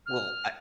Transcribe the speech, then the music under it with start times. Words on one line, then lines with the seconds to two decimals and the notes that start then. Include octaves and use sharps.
Well, I
0.06 F6